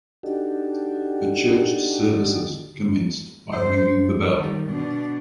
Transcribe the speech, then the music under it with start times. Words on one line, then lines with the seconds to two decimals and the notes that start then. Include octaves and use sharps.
The church services commenced by ringing the bell.
0.23 D4 D#4 F#4 G4 A4
3.52 G2 C5
3.87 F#2
4.32 D#3 G3
4.69 B2 D4